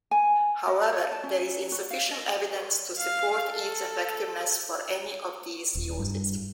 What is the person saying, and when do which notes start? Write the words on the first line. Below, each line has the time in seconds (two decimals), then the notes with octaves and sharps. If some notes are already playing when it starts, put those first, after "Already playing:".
However, there is insufficient evidence to support its effectiveness for any of these uses.
0.11 G#5
0.67 F#4
0.93 C#5
1.12 A5
1.23 C#4
1.72 F#4
1.91 F5
2.10 D#5
2.98 F5
3.48 A4
5.75 D#1
5.99 G2